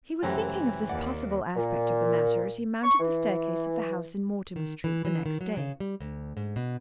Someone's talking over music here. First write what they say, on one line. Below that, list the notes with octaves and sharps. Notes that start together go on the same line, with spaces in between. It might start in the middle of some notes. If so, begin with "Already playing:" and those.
He was thinking of this possible aspect of the matter as he mounted the staircase of the house in Mortimer Street the next day.
C#2 F#2 A2 C3 E3 A3
D#2 D5 F#5
A#2
C#6
E3
D#3
E3
E3
D#3
F#3
C#3
G3
D2
G#2
B2